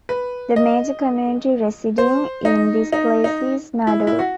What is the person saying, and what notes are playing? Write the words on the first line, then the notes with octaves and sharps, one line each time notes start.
The major community residing in this place is Nador.
B4
D#5
C5
D#4
D#4
D#4
E4
E4
F#4